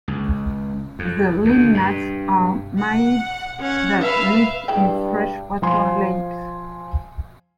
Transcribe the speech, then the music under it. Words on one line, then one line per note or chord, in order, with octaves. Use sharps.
The Limnads are Naiads that lived in freshwater lakes.
C#2
F2
D2
G2
F#5
C#4 F#5
B4 E5 F5
G2 G#3 E4 G5
F3 G#5 C6